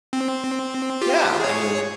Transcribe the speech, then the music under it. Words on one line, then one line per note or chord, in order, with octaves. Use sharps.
Yeah, I mean
C4
F4 G4
G#4 C#5